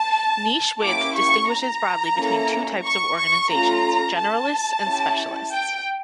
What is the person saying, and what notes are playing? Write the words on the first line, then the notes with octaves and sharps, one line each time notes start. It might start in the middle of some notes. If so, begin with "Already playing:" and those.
Niche width distinguishes broadly between two types of organizations: generalists and specialists.
Already playing: A5
A#3 C#4 E4 G4 D6
C#6
A#5
A#3 C#4 E4 A4
C#6
C#6
A3 C#4 F4 A4 A#5
A5
C#4 E4 G4
G5